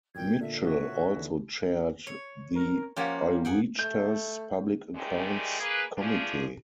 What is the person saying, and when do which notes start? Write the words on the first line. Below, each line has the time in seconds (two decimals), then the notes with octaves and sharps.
Mitchell also chaired the Oireachtas "Public Accounts Committee".
0.15 F#2 A#2 G5 G#6
0.40 A#2 D3 E5
0.63 F#4 C#5 E5
1.16 D#2 D3 E3
2.07 C#5
2.55 A#4
2.96 F3 A#3 C#4 G4 C#5 F#5
3.45 F#2 G#4 F#5 G5
3.79 A3 G6
4.95 F#2 A2 D#3 G3 G#3
5.60 A#3 G#4 B4
5.98 E2 F3 C#4 D4 F4 G#4